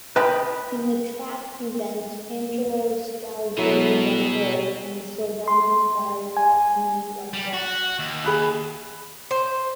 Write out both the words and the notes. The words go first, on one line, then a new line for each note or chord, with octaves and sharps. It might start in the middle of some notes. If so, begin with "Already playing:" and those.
In the trap event, Angelo Scalzone won gold and Silvano Basagni won bronze.
B4 D#5 G5 B5
B2 F#3 B3 E4 A4
C6
G#5
G3
F#4
D#2
G#4 B5 F#6
C5